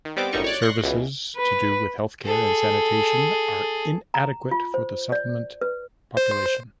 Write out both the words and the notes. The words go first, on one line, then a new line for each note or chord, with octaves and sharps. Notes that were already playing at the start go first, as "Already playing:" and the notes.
Services to do with health care and sanitation are inadequate for the settlement population.
D#3
G3 B3 C4 D6
G1 F#2 A2 G3 D#4 C#6
C#5 D5 F#6
C6 C#6 F#6 A#6
C#2 B2 E3
B4
G#4 A4
A#5
F4
C5
D5
B4
C5